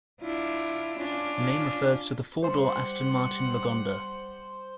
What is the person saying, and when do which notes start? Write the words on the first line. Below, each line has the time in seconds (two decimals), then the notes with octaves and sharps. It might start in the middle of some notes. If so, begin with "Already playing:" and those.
The name refers to the four-door Aston Martin Lagonda.
0.21 D4 E4 F4
0.98 C#4 D4 F4
2.43 G3 C5 F#5 C6